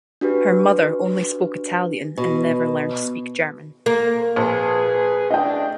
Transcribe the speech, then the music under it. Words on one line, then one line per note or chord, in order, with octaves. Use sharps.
Her mother only spoke Italian and never learned to speak German.
D4 F#4 G4 B4
B2
A#3
A#1 G#4 B4
A3 D4 D#5 G5